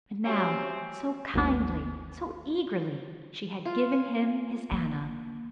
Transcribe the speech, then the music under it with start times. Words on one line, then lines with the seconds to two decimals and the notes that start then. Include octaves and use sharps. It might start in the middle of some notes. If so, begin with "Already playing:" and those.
And now, so kindly, so eagerly!--she had given him his Anna.
0.25 C4 C#4 F#4 G4 E5
1.34 G#1 D#2 B3
3.65 F4
3.92 G#5
4.72 A#3